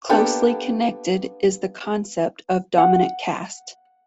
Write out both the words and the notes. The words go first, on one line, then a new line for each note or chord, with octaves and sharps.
Closely connected is the concept of dominant caste.
A#3 B3 D4 G4 A4
F#5